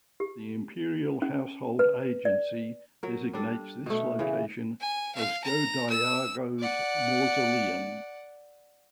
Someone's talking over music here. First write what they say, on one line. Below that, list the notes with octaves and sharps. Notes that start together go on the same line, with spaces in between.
The Imperial Household Agency designates this location as Go-Daigo's mausoleum.
G4
C#4
B4
D5
F#3 A#4
G3 D4 A4
B2 A3
C#3 E3
G#5
F5
A#5
E6
D5 F#5